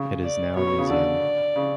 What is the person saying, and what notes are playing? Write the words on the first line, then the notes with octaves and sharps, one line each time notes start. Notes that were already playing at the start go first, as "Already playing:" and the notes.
It is now a museum.
Already playing: C#3
D5
B2 C#5
B2
C#3
D3 D5
C#3